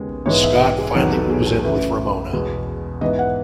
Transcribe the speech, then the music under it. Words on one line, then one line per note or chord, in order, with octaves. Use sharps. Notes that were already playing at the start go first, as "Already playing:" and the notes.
Scott finally moves in with Ramona.
Already playing: D#2 C#3 G#3 B3
G#2 E3 G#3 B3 C#5
E5
G#4
E2 D#3 F#3 B3 C#5
A4
G#4
A4
A4
F#2 C#3 E3 A3 B4
E2 B2 G#3 B3
G#2 E3 B3 D#5
F#5